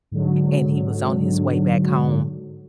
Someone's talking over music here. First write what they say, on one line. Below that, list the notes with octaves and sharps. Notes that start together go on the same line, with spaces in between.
And he was on his way back home.
G#2 D3 F#3